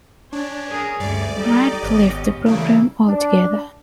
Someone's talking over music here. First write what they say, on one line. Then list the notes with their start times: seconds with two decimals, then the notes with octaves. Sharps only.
Radke left the program altogether.
0.33 C#4 D4 C#5
0.70 G#4 A#4
1.00 D2 G2 G#3 D5
1.37 G3 D#4 G4 A4 D#5
1.83 G#1 B3 C#4
2.46 C#3 E3 G3 A3 A#3 E4
3.07 D4